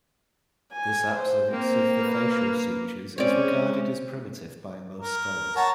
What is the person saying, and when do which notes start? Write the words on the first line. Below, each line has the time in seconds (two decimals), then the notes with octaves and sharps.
This absence of the facial sutures is regarded as primitive by most scholars.
0.73 G#5
1.16 C5
1.52 A#3 C4
2.03 B4
3.18 G#3 C4 C#4 C#5 D5
5.01 A#4
5.56 C#5 F#5 A5 A#5